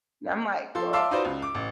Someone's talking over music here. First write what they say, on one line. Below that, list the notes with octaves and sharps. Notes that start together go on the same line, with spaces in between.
and I'm like, "Well,
F3 A4 C6
E5 F5 A5 C6 D6 E6
D#4 F4 F#4 B4 C5 D5
C#2
D6
A1